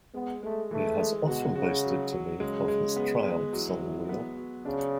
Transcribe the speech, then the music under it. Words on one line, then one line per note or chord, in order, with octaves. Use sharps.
He has often boasted to me of his triumphs on the wheel.
G#3 B3
G#3 A3
E3 A3
G#3
B2 F#4
C#3 F#4
F#3
F#3
C#3 G#3
G#3
B3
G#3
E3 F#3
F#3
B3
F#3
C#3 D4